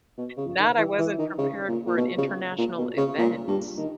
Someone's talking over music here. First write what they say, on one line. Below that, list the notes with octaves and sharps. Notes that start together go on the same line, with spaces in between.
Not, "I wasn't prepared for an international event."
B2
C#3
D#3
E3
E3
D#3
C#3
A#2
A#2
B2
C#3
A#2
B2
C#3
A#2
G2
D#3